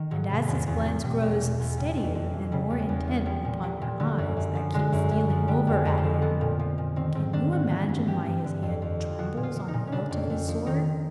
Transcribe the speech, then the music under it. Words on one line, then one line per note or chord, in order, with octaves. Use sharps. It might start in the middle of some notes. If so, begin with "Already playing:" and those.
And as his glance grows steadier and more intent upon your eyes that keep stealing over at him, can you imagine why his hand trembles on the hilt of his sword?
Already playing: D#3
G#2 F#3
C3
E2
E2
F3
B2 G3
E2
B2
E2
C#3 G3
F2
F2
E3
C#3 G3
E2
E2
E3
F3 G3
A#2
F3 G3
A#2
D3 F#3
F#2
F#2
F3
D3 G#3
F#2
F#2
F3
D3 G3
F2
G#3
F2
A3
F3
F3 B3
A#2
F3
A#2
D#3 C4
G#2 C4
D#3 D4
G#2 F#4
E3 F#4
G2
E3 G4
G2
D3
F2
F2
F3
F3 F#4
A#2
F4
F3
D#4
A#2
C#4
C#3 D4
F2
F2
F3
D#3 D#4